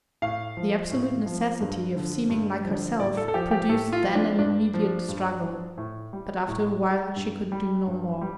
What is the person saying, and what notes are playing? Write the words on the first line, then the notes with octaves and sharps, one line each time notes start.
The absolute necessity of seeming like herself produced then an immediate struggle; but after a while she could do no more.
A2 F5
F3
A2
F3
G2
D3 F3
G2
D3 F3
A2 D5
A4
A4
F3 G4
G4
A2 A4
F4
F3
D4
G2 D4
F3
G2
F3
A2
G3
A2
G3
G2
G3
G2
G3